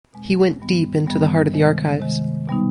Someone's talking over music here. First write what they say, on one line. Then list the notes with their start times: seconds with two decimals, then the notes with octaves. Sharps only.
He went deep into the heart of the archives.
0.13 E2 B2 G#3 C4
0.60 G2 D#3 G3 B3
1.06 G2 D#3 G3 B3
1.53 C3 D#3 G#3
2.00 C3 D#3 G#3
2.47 B2 G3 B3 D#4